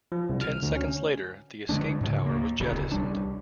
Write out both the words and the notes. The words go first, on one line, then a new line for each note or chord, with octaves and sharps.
Ten seconds later, the escape tower was jettisoned.
F3
C2
F6
D2
C#4
D3 G#3 A3 D4
G#2 C#3 F#3
D2 A#3
D1 B1 C#3
C2 G3 D4